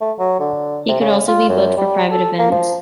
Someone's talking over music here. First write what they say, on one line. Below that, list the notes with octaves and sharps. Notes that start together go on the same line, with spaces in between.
He could also be booked for private events.
A3
F#3
D3
C3
C#3
F4
F#2
G3
A4
A#3
F3